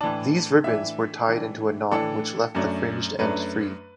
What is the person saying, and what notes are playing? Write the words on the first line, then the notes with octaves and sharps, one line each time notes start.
These ribbons were tied into a knot which left the fringed end free.
A2 E3 D4 A5
A2 E3 D4 E5
A2 E3 D4
A2 E3 D4 A4
F#2 F#3 A3 D4
F#2 F#3 A3 D4 B4